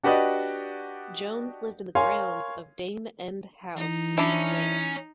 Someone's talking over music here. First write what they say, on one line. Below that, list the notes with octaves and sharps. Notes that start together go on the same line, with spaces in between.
Jones lived in the grounds of Dane End House near Ware.
D4 F#4 G4 B4 D5 D#5
A#4 C#5 F5 G#5 C6
E3 D#4
C#4 D4 E4